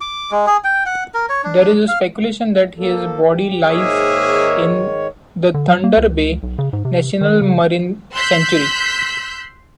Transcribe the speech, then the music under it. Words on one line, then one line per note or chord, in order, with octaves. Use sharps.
There is speculation that his body lies in the Thunder Bay National Marine Sanctuary.
D6
G#3
G#4
G5
F#5
A#4
C#5
D4
F5
F3 A#3 A4
G4
G#2 D#3 A#3 G#4 C#5 E5
D3
F#3
A#3
C#2
B1
C#3
G#2
C3
D#3
C#3
C6 E6 F#6 G6 B6